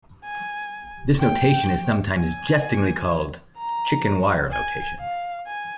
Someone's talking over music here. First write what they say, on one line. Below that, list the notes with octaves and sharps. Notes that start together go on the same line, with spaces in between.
This notation is sometimes jestingly called "chicken wire notation".
G#5
G5
G#5
A#5
G#5
F5
G#5